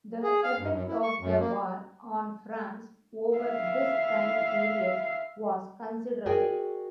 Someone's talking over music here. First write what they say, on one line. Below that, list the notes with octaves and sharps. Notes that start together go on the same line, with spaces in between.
The effect of the war on France over this time period was considerable.
G#4
F5
G2
F#2
E4
C#6
F#2
A#3
E5 F5
F#4 G#4 A#4 D5 G5 G#5